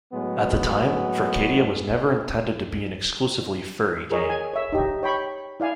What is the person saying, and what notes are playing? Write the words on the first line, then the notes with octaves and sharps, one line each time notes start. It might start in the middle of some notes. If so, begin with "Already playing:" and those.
At the time, "Furcadia" was never intended to be an exclusively 'furry' game.
A2 F#3 G#3 B3
G#4 A#4 C#5 D#5
G#5
C#5 E5
D#4 G4
C#5 G5 B5 C#6
E4 D5 F5 G#5